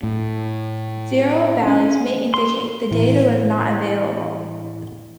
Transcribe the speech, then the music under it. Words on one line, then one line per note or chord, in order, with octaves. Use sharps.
Zero values may indicate the data was not available.
A2
C#4
C6
A2 E3 E4